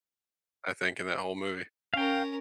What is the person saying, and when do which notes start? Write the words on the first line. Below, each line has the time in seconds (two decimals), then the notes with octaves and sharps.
I think in that whole movie.
1.94 C#4 A#4 F5 G5